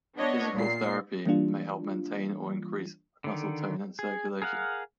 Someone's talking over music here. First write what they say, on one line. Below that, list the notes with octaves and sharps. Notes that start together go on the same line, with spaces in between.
Physical therapy may help maintain or increase muscle tone and circulation.
B3 D4 C#5 D#5
A#2 C7
E3 G3 A#3 D4 F4
D3 D#3
G#4
G#4 A#4 F5 F#5